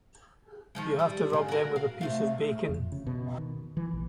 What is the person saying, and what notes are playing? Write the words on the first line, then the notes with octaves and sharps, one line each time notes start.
You have to rub them with a piece of bacon.
D#3 F3 G#3
G3 G4
G#2 C#3
F#4 A#4
F5
C3 A3 F5
F2
C#3
B2
D#3
E3
A#1